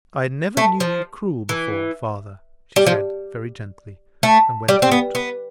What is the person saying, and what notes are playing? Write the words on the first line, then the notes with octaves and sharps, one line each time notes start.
"I never knew you cruel before, father," she said, very gently, and went out.
A3
F3
E3
G3
F3
A3
G3
C4
B3
B3